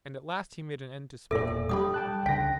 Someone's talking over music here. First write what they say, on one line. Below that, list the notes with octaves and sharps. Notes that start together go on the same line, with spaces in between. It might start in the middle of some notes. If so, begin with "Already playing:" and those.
And at last he made an end to speaking.
E1 A#2 E4 A4 D5 E5
G3 D4 G4 B5 D#6
G5 A5 F#6
C#2 D3 G5 A#6 B6